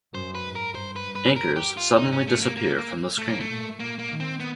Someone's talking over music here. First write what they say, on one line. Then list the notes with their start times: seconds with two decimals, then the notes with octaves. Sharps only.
Anchors suddenly disappear from the screen.
0.15 F#2 C5
0.35 B4
0.44 G#2
0.55 A#4
0.75 G2 C5
0.96 B4
1.06 G2
1.15 B4
1.36 A#4
1.56 G4
1.77 F4
1.97 G#2 D#4
2.12 C#4
2.27 A3
2.42 A#3
2.57 A#3
2.78 A#3
3.18 G#2 A3
3.29 A#3
3.40 A3
3.49 A#2
3.79 A#2 A#3
3.99 A#3
4.10 D#3
4.20 C4
4.40 B3